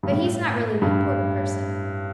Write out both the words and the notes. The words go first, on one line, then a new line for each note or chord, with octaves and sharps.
But he's not really the important person.
G2
A2
G2